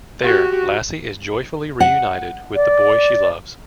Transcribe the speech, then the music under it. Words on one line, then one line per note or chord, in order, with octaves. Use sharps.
There, Lassie is joyfully reunited with the boy she loves.
F#4 G4
F#5
D5